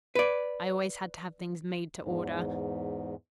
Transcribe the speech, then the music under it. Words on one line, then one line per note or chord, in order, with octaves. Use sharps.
"I always had to have things made to order."
B4 D5
E2 G#2